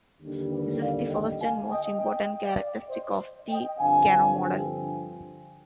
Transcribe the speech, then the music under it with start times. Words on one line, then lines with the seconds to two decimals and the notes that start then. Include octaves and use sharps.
This is the first and most important characteristic of the Kano model.
0.19 D#2 D3 G3
0.50 G4 B4
0.80 D5 F5
1.10 D#5 G5
1.40 F5 G#5
1.70 D#5 G5
1.99 D#5 G5
2.44 D5 F5
2.89 C5 D#5
3.49 D#5 G5
3.79 G2 D3 F3 C4 F5 G#5